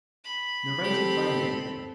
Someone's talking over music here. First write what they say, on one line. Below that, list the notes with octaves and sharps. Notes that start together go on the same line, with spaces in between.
Narrated by Myrddin.
B5
C4 G4 A4